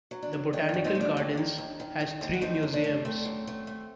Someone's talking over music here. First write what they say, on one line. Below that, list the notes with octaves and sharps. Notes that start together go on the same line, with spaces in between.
The Botanical Gardens has three museums.
F#3
D4
F#2
D#3 D4
D4
F#2
C4 D#4
A3
D4
D#2 D4
D#3
D#2
D#3
D#3
D#2
F#4
A3 C4 D#4
F#2
D4
A3
A3 C4
F#2
A3
A3